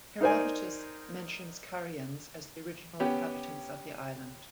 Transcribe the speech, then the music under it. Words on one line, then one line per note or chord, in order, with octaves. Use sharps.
Herodotus mentions Carians as the original inhabitants of the island.
D#4 A#4 C5 D5 G#5
B3 C#4 G4